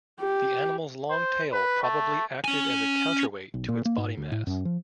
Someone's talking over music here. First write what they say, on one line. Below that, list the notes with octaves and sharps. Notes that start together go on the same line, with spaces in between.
The animal's long tail probably acted as a counterweight to its body mass.
G4
C5
B4
A3
C#4 G#5
B1
A#2
A#3
G#2
D2
A2
F#2
F3